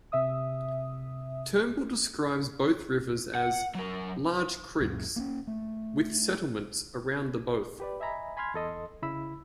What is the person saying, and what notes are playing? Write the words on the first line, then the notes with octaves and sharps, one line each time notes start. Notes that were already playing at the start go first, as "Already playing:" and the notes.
Turnbull describes both rivers as, "large creeks" with settlements around the both.
C3 E5 D#6
F#5
F#3 A#4
C#2 F#2 A#2 C#3
A#3 C4 C#4
A3
G4 B4 D5
D#5 E5 G#5 A#5 B5
G#5 B5 C6 F6 G#6
E2 A4 D#5 C6
C#3 E4 B5 E6